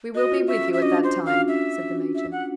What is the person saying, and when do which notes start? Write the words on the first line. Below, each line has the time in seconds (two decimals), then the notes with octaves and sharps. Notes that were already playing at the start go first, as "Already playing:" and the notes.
"We will be with you at that time," said the major.
0.15 F#4 D#5
0.31 F4
0.48 C#4 E5
0.65 C#4
0.73 E5
0.82 D4 D#5
1.04 C5
1.26 F5
1.48 E5
2.15 E5
2.32 F#5